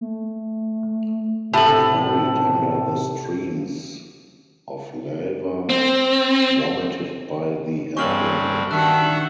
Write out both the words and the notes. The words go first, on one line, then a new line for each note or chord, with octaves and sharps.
It was buried under the streams of lava vomited by the Alban Mountain.
A3
A2 C3 G4 A4 A5
C4
G2 C3 A#3 C4 C#4 C#6 F6 F#7
D#3 D4 F#4 E5 F#6